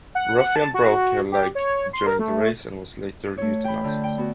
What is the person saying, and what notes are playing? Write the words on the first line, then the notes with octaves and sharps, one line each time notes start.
Ruffian broke her leg during the race and was later euthanized.
F#5
F#5
A5
F#4
G4
C#5
C6
A#4
A3
A3 C#5
G5 B5
D3 F4 G6
G5
B3 F#4